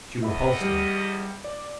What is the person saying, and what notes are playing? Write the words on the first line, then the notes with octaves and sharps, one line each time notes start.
She repulsed him.
E2 D#5 E5 B5
G3
D5